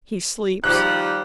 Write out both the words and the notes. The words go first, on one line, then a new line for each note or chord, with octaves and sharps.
He sleeps.
D#3 F3 G3 F#6